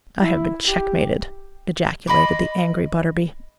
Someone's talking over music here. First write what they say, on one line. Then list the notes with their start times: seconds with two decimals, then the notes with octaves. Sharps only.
"I have been checkmated," ejaculated the angry Butterby.
0.21 E4
0.67 G4
2.07 D#5 B5 C6 D6